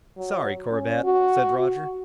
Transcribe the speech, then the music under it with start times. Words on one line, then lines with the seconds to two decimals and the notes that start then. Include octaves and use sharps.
"Sorry, Corbett," said Roger.
0.17 F#3
0.71 C#4
1.04 F#4
1.59 F#4